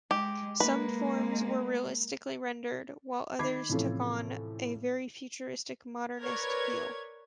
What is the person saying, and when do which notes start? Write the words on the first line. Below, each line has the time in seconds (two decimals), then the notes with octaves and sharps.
Some forms were realistically rendered, while others took on a very futuristic, modernist feel.
0.11 G#3 G4
0.60 G#3 A#3 B4
3.39 D#3 B5 D6 G#6 C7
3.69 A2 C3 E3 F3 C#4 A4
6.20 A#4 B4 C#5 D5 G#6